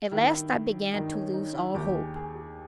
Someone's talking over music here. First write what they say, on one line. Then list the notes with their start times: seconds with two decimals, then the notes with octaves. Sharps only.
At last I began to lose all hope.
0.12 G2 D#3 E4
0.93 G2 D#3 D#4
1.13 C#4
1.34 D#4
1.54 E4
1.74 D#2 D#3 G4
1.95 G#4
2.16 G#4
2.35 G4